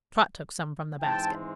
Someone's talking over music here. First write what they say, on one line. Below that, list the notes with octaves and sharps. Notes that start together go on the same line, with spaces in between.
Trot took some from the basket.
G#2 E3 G#3 C4 G5 A5